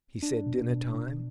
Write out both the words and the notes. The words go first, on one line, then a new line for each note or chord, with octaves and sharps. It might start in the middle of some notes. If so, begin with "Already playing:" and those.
'He said dinner-time.'
D4
B2
B2
D4